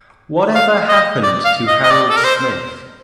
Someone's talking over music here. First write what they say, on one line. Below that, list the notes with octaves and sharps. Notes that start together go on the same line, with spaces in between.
Whatever Happened to Harold Smith?
F5
D#5
D5
F5
D#5
D#5
D5
A4
A#4
C5